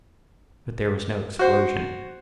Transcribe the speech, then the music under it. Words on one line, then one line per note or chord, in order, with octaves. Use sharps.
But there was no explosion.
F#4 C5